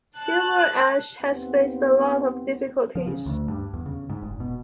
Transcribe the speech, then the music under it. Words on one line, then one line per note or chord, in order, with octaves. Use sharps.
Silver Ash has faced a lot of difficulties.
A5 F#6
D#2 B3 C4
F3
C#3
D2
G2
E2
C#3
G#2
F1
B2